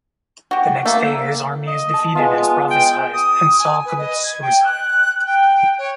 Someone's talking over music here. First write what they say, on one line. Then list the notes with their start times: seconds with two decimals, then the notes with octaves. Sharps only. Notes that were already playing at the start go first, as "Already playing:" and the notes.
The next day, his army is defeated as prophesied, and Saul commits suicide.
0.51 F#4 G4
0.86 A3 A#3
1.67 D#5
1.94 A5
2.15 G#3 B3 F4
2.71 G5
3.13 D#6
3.59 G#5
3.85 B4
3.98 D#5
4.24 G#6
4.42 G5
4.65 F#6
5.26 G5
5.78 C#5